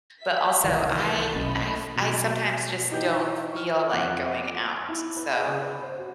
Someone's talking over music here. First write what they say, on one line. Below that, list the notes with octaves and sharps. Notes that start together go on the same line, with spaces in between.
But also, I I f I sometimes just don't feel like going out, so.
E5 B6
C2 D#3 E3 A#4
B3 G6 A6
B1 C#4 D#5 B5
B2 F#3 G#6
E3 D#4 G4 B4 G6
C#6 F6
F2 F#5 D6 F#6
E4
B4
G#4
C#3
B4
C5
F#4